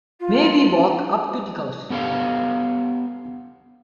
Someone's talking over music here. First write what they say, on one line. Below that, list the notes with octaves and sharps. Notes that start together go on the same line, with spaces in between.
May we walk up to the House?
F4
B3 G4 A4 C#5 F5